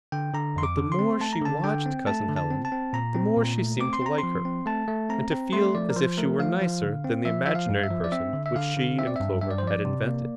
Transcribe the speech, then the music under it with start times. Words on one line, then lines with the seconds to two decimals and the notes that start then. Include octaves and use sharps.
But the more she watched Cousin Helen the more she seemed to like her, and to feel as if she were nicer than the imaginary person which she and Clover had invented.
0.12 D3 G5
0.34 D3 A#5
0.56 F2 C6
0.63 D6
0.78 D3
0.92 C6
0.99 C4
1.20 A3 A5
1.33 A#5
1.42 D3 A5
1.64 D3 G5
1.86 C4
2.07 A3 A5
2.29 D3
2.36 A5
2.50 C4
2.65 A5
2.72 C4
2.93 A#2 A#5
3.15 C4
3.37 A#2
3.58 A3
3.79 C4 D6
3.93 C6
4.02 C4 A#5
4.18 C6
4.23 F3
4.45 C4
4.66 A3 A5
4.88 A3
5.09 C4 A#5
5.31 C4
5.53 A3 C6
5.75 F3 D5
5.90 A#4
5.96 F3 C5
6.18 A3 A#4
6.39 F3 F5
6.61 F3
6.83 D3
7.04 C4
7.25 F3 E5
7.46 F3 E5
7.55 F5
7.69 G2
7.84 E5
7.90 F3
8.04 D5
8.12 C4 E5
8.34 D3
8.46 E5
8.56 D3 F5
8.77 D3
8.99 C4 E5
9.07 D5
9.16 G2 E5
9.41 G2 E5
9.51 D5
9.58 C5
9.63 F3 D5
9.85 C3
10.07 A#3